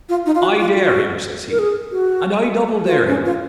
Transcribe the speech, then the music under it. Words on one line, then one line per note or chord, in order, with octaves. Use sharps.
I dare him, says he, and I doubledare him.
F4
D#4
F4
F#4
F4
F#4
A#4
G#4
F#4
F#4
F4
C#4
F4